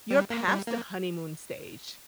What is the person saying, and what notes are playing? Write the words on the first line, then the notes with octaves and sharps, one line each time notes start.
you're past the honeymoon stage.
G3
A#3
G3
A#3